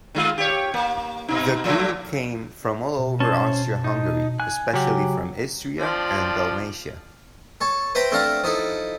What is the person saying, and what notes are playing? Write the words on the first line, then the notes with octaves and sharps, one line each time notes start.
The crew came from all over Austria-Hungary, especially from Istria and Dalmatia.
D#3 G#3 F4
G4 C#5
A#3
B2 D#4
A#2 F3 A3
B2
C#4 C5 A5
D#4
G#5 F#6
C#3 F#3 G4
F3 C4 D4
A4 C#5 A5
B4 C5 E5 G5 A#5 B5
A3 C4 D4 A4 F5 A#5
F3 D#4 E4 A4